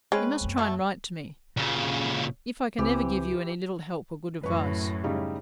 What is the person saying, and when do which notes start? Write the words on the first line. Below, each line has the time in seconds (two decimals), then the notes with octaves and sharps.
You must try and write to me, if I can ever give you any little help or good advice.
0.12 G#3 C4 C#4 B4
0.41 F#2 A#3
0.58 B2 A3
1.57 A#2 C#3
2.79 C#2 E3 C4 G4
4.43 F#2 A2 B4 C#6
5.04 C#3 G3 D#4